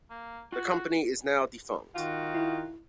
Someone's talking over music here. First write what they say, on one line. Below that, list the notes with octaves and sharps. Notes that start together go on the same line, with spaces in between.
The company is now defunct.
A#3
F4 F#4 F#5
D#3 F4 F#4
E4